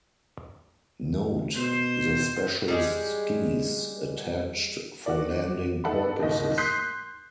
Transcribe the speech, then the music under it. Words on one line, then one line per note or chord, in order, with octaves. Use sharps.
Note the special skis attached for landing purposes.
B2 C5
G3 G#3 G#4
F#4 D5
D#4 A4 F#5 A5 B5
D#2 G#2 D#5
C6 D#6 F#6 G6 B6 C7